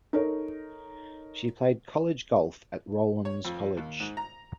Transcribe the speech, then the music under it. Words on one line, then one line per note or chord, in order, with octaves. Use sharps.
She played college golf at Rollins College.
D#4 A4 A#4 C#5
C#5
F2
D#2
G#2
A#5